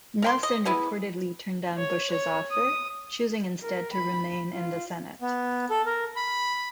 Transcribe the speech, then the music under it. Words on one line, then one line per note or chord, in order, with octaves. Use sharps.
Nelson reportedly turned down Bush's offer, choosing instead to remain in the Senate.
A#4 G5 C6
D#5
G#3 B3 E4
C#5
C#5
D#6
A#4
B5
F4
B3
A4
A#4
B5